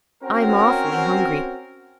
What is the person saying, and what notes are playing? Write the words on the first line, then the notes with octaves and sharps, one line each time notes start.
I'm awfully hungry.
C4 C#4 F#4 A#4